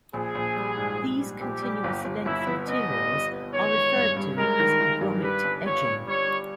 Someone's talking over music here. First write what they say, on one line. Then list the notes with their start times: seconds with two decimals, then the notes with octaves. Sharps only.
These Continuous length materials are referred to as "grommet edging".
0.13 A#1 G#4
0.35 A#1
0.56 G3
0.77 G#2
0.99 A#1
1.20 G3
1.41 A#1 G4
1.62 G3
1.84 G1
2.04 G1
2.25 G1 E4
2.47 B3
2.68 B3 D#5
2.89 G3
3.11 G1
3.32 B3
3.53 D#3 C#5
3.74 G#3
3.95 G2
4.16 G2
4.38 G#3 A#4
4.60 D#3
4.81 D#3
5.01 G2
5.22 G3 B4
5.44 G1
5.65 G1 C#5
5.86 G1
6.07 G3 C#5
6.28 G3